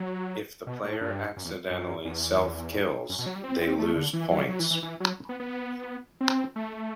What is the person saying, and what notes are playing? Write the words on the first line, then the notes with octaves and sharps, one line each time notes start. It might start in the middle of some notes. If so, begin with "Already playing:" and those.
If the player accidentally self-kills, they lose points.
Already playing: F#3
B2
A2
G2
F#2
E2
F#2
E2
F#2
B2
F#3
G3
C4
C4
A3
D3
E3
F#3
F#3
E3
E3
E3
F#3
B3
B3
C4
A3